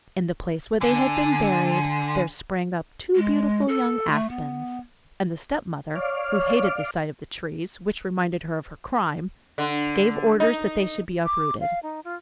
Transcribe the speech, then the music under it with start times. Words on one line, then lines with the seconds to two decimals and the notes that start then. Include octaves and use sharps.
In the place where they had been buried there sprang up two beautiful young aspens, and the stepmother, who hated the sight of the trees, which reminded her of her crime, gave orders that they should be uprooted.
0.81 D3 G#5
3.15 G#3
3.68 A4
4.10 A3
4.29 B3
5.96 C#5 D5 F5
9.58 D3
10.40 D#4
11.25 D6
11.61 F5
11.83 D#4
12.04 F4